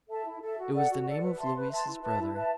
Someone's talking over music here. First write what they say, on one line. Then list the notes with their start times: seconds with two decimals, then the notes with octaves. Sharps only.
It was the name of Louise's brother.
0.09 A4 E5 A5
0.25 E4
0.41 A4 E5 A5
0.57 F#4
0.74 A4 D5 F#5
0.90 F#4
1.05 A4 D5 F#5
1.22 B4
1.38 E5 A5 C6
1.55 B4
1.71 E5 A5 C6
1.87 E4
2.03 B4 E5 A5
2.19 E4
2.35 B4 E5 A5